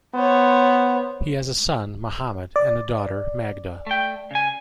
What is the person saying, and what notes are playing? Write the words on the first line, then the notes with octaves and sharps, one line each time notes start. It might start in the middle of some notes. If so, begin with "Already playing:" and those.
He has a son, Mohammad, and a daughter, Magda.
B3 C5 C#5
D5
A3 G5
C#3 G#5